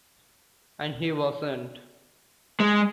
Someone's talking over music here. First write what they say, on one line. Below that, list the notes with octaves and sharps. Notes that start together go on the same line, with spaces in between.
And he wasn't.
G#3